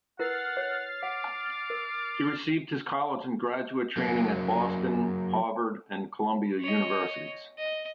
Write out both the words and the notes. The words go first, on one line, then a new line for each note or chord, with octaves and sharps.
He received his college and graduate training at Boston, Harvard, and Columbia universities.
E4 A#4 B4 F#5 F6 A6 C7
C#5
F#5 D6
A#4
F#3 A#3
C#5 D#5
D#5